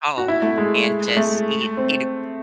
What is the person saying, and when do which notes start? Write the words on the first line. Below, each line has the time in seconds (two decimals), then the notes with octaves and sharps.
home and just eat eat a
0.18 F#4
0.28 E4
0.42 A3
0.58 G#3
1.08 G#3
1.17 A3
1.77 C4